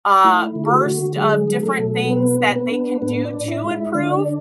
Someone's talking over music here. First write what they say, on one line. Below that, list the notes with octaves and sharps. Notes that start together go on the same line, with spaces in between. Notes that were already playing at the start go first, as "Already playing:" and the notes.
uh, burst of different things that they can do to improve,
A3 E4
D3
G#4
F#4
D3
F#3 G#3 G#4
F#3
A3 A4
B2
B3 B4
B3
B3 B4
D4
A2 B3 B4
D4 D5
A2
E4 E5
G#3
E4 E5
D3 D4 D5